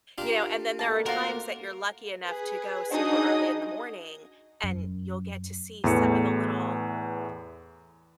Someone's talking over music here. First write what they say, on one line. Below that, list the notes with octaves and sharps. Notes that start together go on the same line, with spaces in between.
You know, and then there are times that you're lucky enough to go super early in the morning, and you'll get to see some of the little
D4 F4 G4 A#4 F5
B2 A3 A#3 A5
F4 F#4 A#4 C5 F#5
G#4 B4
D4 D#4 F#4 G#4 D#5 D#6
F#2
E2 A2 E3 C#7